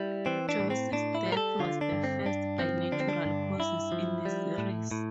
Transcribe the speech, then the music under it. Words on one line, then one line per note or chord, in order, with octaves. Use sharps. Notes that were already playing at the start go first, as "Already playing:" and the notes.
Joyce's death was the first by natural causes in the series.
Already playing: G3 E4
E3 C4
D4
A2
C4
A2 D4
E4
G3
A#4
A4
D3 F4
D4
G2
C4
G2 D4
F3 C4
D3 D4
C4
D4
G2
G2 E4
F3
G3
A2
A2